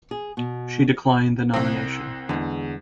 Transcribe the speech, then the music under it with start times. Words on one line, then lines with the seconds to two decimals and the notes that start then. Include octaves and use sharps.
She declined the nomination.
0.11 G#4
0.37 B2
1.54 C2 C4
2.29 E2 D3 G#3